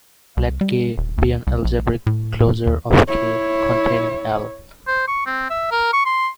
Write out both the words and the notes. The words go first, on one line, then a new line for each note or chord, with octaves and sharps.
Let "K" be an algebraic closure of "K" containing "L".
C2
G3
D#1
D2
C2
A#1
A2
A2
D#2
E4 C#5
C5
C#6
C4
E5
A#4
C#6
C6